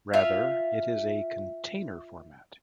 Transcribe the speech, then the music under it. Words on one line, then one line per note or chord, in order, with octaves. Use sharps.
Rather, it is a container format.
F4 E5 F5